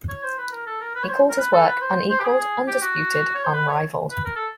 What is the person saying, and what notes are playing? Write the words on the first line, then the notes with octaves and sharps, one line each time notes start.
He called his work unequaled, undisputed, unrivaled.
C#5
C5
B4
A#4
A4
A#4
B4
C#5
C5
A#4
B4
A4
B4
C5
C5
G4
G#4
G#4
G4
F#4
C#5
C5
B4
C#5
B4
A#4
A4